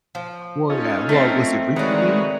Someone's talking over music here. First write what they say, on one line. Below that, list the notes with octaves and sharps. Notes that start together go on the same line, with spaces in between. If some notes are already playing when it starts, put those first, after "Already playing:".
Well, yeah. Well, was it recently?
F3
C#4 D#4 F4 A4
A3 C4 A#4
D#3 G#3 F#4 B4 C#5 D5 A#5